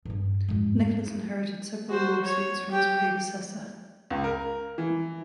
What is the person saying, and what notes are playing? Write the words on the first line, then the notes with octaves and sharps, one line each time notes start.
Nicholas inherited several lawsuits from his predecessor.
G2 C#4
F2 G#2
F#4 C5
C#5
G4 G5
C#2
A#4
E3